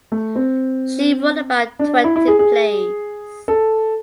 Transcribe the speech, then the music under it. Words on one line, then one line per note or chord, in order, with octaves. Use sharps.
She wrote about twenty plays.
A3
C4
D4
E4
E4
G#4
G#4
A4